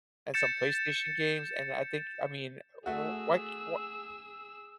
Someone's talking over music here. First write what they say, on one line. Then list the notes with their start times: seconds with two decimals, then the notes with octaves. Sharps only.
and some PlayStation games, and I think I mean, w why c wha
0.34 G6 A6 C#7 E7
2.86 A3 F#4 G#4 E6